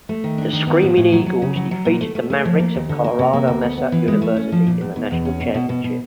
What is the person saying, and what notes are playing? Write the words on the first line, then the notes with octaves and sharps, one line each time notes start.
The Screaming Eagles defeated the Mavericks of Colorado Mesa University in the national championship.
A3
D#3
D4
D#3
B3
A2
A2
F#3
F#3
C#3
F#3
F#3
A#2
A3
A3
A3
F3
A#3
D#2
D3
A#3
C3
A#3
D2
B3
B3
E3
G#3
A3
C#4
F3
A#2
E2
B2
E2
C#4
B2
B2
B2
B2